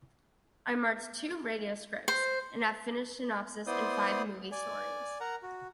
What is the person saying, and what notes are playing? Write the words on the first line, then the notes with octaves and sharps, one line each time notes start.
I marked two radio scripts and have finished synopses and five movie stories.
C5
B3 E4 C5 D5 C6 D#6
D5 G#5
A#4 F#5 A#5
F#4